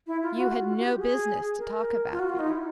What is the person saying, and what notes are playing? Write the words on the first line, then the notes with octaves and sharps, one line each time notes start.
"You had no business to talk about me!"
E4
F4
F#4
F#4
F4
F#4
G4
G#4
A#4
F4
F#4
F4
D#4
E4